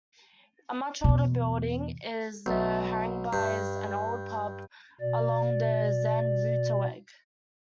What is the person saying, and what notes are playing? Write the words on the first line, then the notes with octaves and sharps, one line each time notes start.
A much older building is the "Haringbuys", an old pub along the Zandvoorterweg.
E2 B2
B1
G2
B2 D5